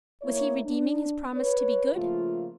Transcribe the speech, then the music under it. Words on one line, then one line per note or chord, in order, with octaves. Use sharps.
Was he redeeming his promise to be good?
A#3 E4 C#5
D4
B4 C#5
C#3 F3 A3 A#3 F4